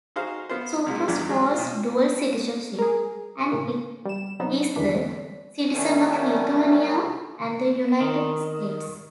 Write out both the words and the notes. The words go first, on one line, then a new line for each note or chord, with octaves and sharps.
Zubrus holds dual citizenship and is the citizen of Lithuania and the United States.
D#4 F#4 G#4 C5 F5
B3 F4 C5
C2 A#2 G#3
E2 G2 G3 D#4
G#2 F#3 D4 G#4
B2 F4
G#4 A#4
A2 C#3 A#3
G3 E7
C3 F#3 B3 D#4
E2 D3 E3 D4 B6
D#3 F#3 G3 A3 B3 C#4
D#3